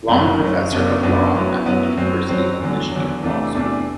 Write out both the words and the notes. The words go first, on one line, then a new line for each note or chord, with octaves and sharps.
Long Professor of Law at the University of Michigan Law School.
F#1 F#2 F#3
F#1 F#2 F#3
F#1 F#2 F#3 B3 D4
F#1 F#2 F#3 B3 D4
F#2 F#3 B3 E4
F#2 F#3 B3 E4
F#2 F#3 C4
F#2 F#3 C4
E2 D3 F#3
E2 D3 F#3
E2 C3 E3 A3 D4
E2 C3 E3 A3 D4